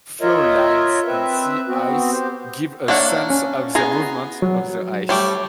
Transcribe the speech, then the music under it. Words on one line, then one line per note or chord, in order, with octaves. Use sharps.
Flow lines in sea ice give a sense of the movement of the ice.
F4 A#4 C#5 D#5 E5
C4 B4 E5
B3 C4 F#4
G4 C5
A#3 D4 C#5 D5 E5 F#5
C#4
B3 G#4 A#5
F#3
G3 A3 C#5 D6